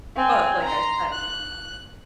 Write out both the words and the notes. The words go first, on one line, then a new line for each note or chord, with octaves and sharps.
But like I said,
C4 G#5
A#5 C6
F#6